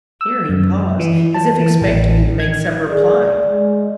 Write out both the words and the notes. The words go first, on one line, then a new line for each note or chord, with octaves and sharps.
Here he paused, as if expecting me to make some reply.
E6
F#2
E3
A5
E3
A1
G#6
G#4 D5
G#3